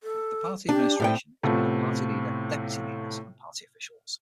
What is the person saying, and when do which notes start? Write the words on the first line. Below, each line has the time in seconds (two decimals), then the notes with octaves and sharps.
The Party Administration is made of the Party Leader, Deputy Leaders and Party officials.
0.03 A4
0.69 D4 G4
1.00 A2 C4 G5
1.43 A2 C3 A3 B3 F4